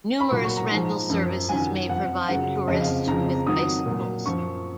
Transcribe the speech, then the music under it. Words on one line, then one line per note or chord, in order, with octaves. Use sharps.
Numerous rental services may provide tourists with bicycles.
B5
A#2 F#3 C#6
C#6
A#5
G#2 F3
F#2 F3
F#2 D#3 F#3 G#5
F2 F3 F#5
F#2 C#3 F#3 F#5
F2 C#3 F3 D#5
F5
F2 C#3 F3 A#5
F2 D#3 F#3 D#6
A#2 F#3
F#2 F3 C#6